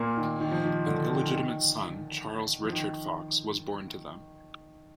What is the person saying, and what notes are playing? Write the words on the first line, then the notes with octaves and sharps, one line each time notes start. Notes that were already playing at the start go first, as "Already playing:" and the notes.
An illegitimate son, Charles Richard Fox, was born to them.
Already playing: A#2 A#3
D#3
D#3
F3
D#3
D3
D#3
D#3
F3
D#3